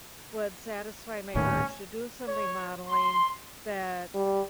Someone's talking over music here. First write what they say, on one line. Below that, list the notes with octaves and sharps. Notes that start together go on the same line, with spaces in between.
would satisfy my urge to do some remodeling that
D#1 D#2 A2 C#4
C#5
C6
G3